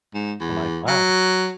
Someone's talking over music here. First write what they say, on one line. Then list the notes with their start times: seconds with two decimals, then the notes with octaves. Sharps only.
I'm, like, "Wow.
0.14 G#2
0.40 E2
0.88 F#3